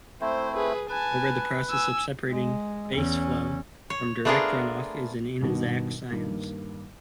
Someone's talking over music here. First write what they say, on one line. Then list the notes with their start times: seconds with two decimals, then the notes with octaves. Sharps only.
However, the process of separating "baseflow" from "direct runoff" is an inexact science.
0.21 A3 C4 E4 C5
0.56 G#4 B4
0.89 B4 G#5 A5
1.70 G#5 E6
2.29 G#3
2.93 E2 C#4
3.90 C#5
4.25 A3 B3 D4 F4 G#4 A#4
5.41 G2 B2 D#3
6.10 G2 D#3 A#3